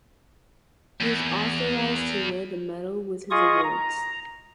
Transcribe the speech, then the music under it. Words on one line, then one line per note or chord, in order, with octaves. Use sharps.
He is authorized to wear the medal with his awards.
E2
F4 G#4 D#5 C#6 D#6
A#5